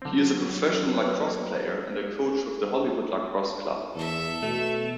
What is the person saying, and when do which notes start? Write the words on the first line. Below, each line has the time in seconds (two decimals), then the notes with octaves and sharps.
He is a professional Lacrosse player and coach with the Hollywood Lacrosse Club.
0.02 D3 F#3 C4
0.93 B4 C5
1.27 A#3
3.95 E2 A4 E5
4.42 B2 A3